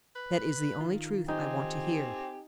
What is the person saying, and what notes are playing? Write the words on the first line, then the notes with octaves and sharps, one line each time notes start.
"That is the only truth I want to hear."
B4
D#3 F4
C4 D#4 G4 G#5